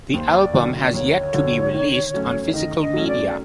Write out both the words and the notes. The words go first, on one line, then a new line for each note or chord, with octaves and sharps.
The album has yet to be released on physical media.
D#2 C5
D5
D3 F#3
D5
D#2 C#5
D3 F#3
D#3
F#3 A3 C#4
D#3 D#5
D#5
F#3 A3 C#4
D5